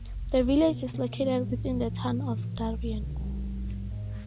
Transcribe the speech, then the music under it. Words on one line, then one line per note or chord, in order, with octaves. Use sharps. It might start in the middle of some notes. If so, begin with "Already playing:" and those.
The village is located within the Town of Darien.
Already playing: F#1 A#3
C2
C2
A#3
B2 B3
B2 A#3
A2 G3
B1
F#3
A2 F3
A2
B2
B1
B2 E3
D3
B1
G3
A#1
G#2
G#2 G#3